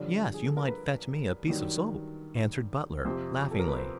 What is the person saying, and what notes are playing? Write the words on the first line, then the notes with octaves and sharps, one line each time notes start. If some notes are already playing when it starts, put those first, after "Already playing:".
"Yes, you might fetch me a piece of soap," answered Butler laughingly.
Already playing: G2 D3 F3 C#5
G#4
A4
A#4
B4
G2 D#3 F#3
F2 C3 F3 C5
A4
A#4
B4
C5